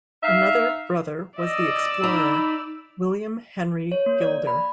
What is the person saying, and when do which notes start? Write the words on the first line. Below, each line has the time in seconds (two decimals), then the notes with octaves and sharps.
Another brother was the explorer William Henry Gilder.
0.23 D#4 E5 F5
1.39 D5 D#5 E6
2.03 D#4 B5
3.92 C#5
4.06 A#3
4.21 D5
4.47 B5